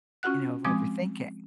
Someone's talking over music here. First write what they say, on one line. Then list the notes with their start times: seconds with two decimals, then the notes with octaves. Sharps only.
you know, of overthinking
0.23 C#4 F4 F#4 F#5 F#6
0.65 F3 G#3 C4 D6 D#6